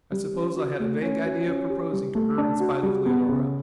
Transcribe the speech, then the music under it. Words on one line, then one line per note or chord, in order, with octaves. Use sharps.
I suppose I had a vague idea of proposing to her in spite of Leonora.
G3
C#4
F#4
A3
C#4
F#4
C#4
G4
G3
A3
D4
F#4
G3
B3
C#3